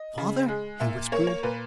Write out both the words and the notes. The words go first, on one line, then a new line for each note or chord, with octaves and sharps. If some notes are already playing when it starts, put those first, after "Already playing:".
"Father!" he whispered.
Already playing: D#5
C#3
G#3
A#2 E5
A#3 C#5
C#5
A#2 B4